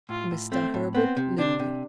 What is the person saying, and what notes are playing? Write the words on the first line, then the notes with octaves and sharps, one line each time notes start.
Mr. Herbert Linley.
A2 F4
A2
A3 C4
A2
B3 C4
C3
C3 D4
C3